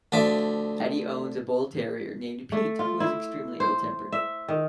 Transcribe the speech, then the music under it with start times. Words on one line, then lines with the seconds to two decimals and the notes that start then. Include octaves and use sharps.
Eddie owns a bull terrier named Pete, who is extremely ill-tempered.
0.12 D2 F3 D5 E5 D6
2.52 A3
2.79 F4
3.00 E4
3.60 C5
4.12 E5
4.48 D#3